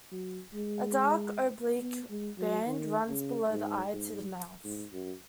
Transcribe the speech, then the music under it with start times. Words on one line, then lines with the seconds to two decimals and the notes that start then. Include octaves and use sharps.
A dark oblique band runs below the eye to the mouth.
0.12 F#3
0.54 G#3
1.81 B3
2.10 G#3
2.38 F#3
2.66 D#3
3.09 C#3
3.51 G#2
3.93 G#2
4.65 G#2
4.93 F#2